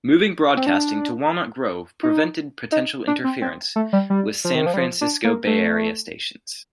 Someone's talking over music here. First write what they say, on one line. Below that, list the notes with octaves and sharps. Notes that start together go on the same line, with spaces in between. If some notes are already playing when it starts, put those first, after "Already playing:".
Moving broadcasting to Walnut Grove prevented potential interference with San Francisco Bay Area stations.
C4
D4
D#4
D#4
D4
C4
C4
A3
G3
G3
F3
D#3
F3
G3
F3
D4
A#3
A3